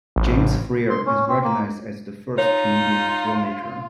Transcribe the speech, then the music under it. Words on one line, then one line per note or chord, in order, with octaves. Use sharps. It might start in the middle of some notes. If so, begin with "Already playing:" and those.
James Freer is recognized as the first Canadian filmmaker.
A1
C6
C#4
C4
A#3
D#4 F4 C#5